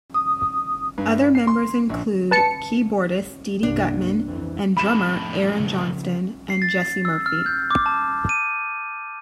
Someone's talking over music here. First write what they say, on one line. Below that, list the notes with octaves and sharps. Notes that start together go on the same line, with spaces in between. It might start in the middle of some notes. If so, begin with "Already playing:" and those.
Other members include keyboardist Didi Gutman and drummer Aaron Johnston and Jesse Murphy.
D#6
G2
C7
C6
A#1
B4 A5 C#7
C2 G2 A#3 D4
F2 E3
F2 A2 B5 E7
C#3 F3
C7
A6
E6
F6
G6
D6
A5
D#7